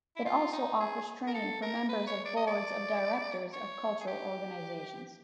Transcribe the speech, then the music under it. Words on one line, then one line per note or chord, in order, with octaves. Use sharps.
It also offers training for members of Boards of Directors of cultural organisations.
E4
F4
D#4
G#4
A#4
A4
A#4
B4
C#5
D5
D#5
D5
C#5
G#4
G4